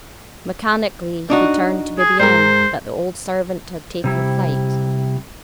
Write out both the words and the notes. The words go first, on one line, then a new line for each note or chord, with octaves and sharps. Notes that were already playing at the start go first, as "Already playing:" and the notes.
Mechanically, he turned to Bibiaine, but the old servant had taken flight.
D4 D#4 F#4
G#4
G#2 A#4 C5
C3 G3 E4